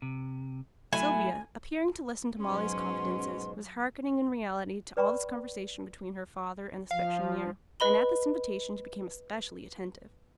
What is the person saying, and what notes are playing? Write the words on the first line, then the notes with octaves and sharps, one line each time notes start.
Sylvia, appearing to listen to Molly's confidences, was hearkening in reality to all this conversation between her father and the specksioneer; and at this invitation she became especially attentive.
C3
F#3 A3 E4 G#5
G#2 B2 F#3 C#4 C6
B4 D5 G5 A#5 B5 C#6
F3 F5
B4 D#5 B5 G7